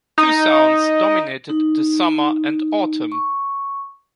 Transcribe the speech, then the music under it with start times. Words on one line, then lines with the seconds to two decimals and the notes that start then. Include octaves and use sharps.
Two sounds dominated the Summer and Autumn.
0.18 D#4
1.50 D#4
3.12 C#6